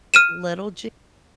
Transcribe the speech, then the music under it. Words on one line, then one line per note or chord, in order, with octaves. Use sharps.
Little J
F6 D#7 E7